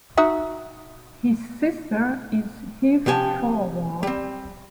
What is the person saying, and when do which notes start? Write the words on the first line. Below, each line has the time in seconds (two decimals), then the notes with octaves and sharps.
His sister is Eve Forward.
0.17 D#4 F#4 E5
3.06 C3 F3 G4 G#5 A5
4.03 G3 C4